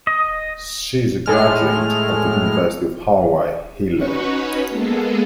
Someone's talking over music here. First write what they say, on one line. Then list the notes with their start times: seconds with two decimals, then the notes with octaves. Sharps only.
She is a graduate of the University of Hawaii-Hilo.
0.07 D#5
1.26 A2 G#3 F6
3.94 C#4 D#4 F#4 B4 C#5
4.69 G#3 A#3 B3 G#4 A4